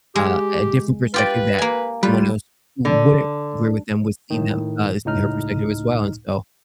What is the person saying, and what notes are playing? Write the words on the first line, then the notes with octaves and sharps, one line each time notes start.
uh, a different perspective that someone else who wouldn't agree with them would see them uh, see her perspective as well. And so,
G#3 G4
F4 G4 B4 D5
A#3 G#5
G3 F4 B4
D3
A2 D#3
C#2 A2 D#4 F6